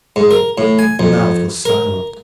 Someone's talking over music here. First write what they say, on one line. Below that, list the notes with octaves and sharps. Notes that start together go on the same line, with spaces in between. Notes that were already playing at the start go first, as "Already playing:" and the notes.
The mouth was silent.
G#2
A#4
A2
G#5
F2
A#4